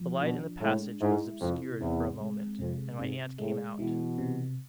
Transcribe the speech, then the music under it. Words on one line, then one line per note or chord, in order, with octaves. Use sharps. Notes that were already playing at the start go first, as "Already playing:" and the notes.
The light in the passage was obscured for a moment, and my aunt came out.
Already playing: F3 F4
B2 D4
A2 G#3
G#2 E4
F2 C3
E2 C4
G#3
F2 C3
G#2 C3
A2 G#3
B2 E3
C3